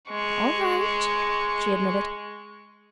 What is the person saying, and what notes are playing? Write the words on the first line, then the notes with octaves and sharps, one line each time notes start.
"All right," she admitted.
G#3 C#6